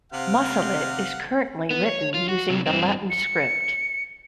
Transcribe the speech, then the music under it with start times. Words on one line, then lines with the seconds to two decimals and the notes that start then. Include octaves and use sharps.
Masalit is currently written using the Latin script.
0.12 C3 F5 F#5
1.71 B3
1.86 C#5
2.14 F4
2.29 F#4
2.50 C3 F#3
2.67 G2 C4
3.10 C#7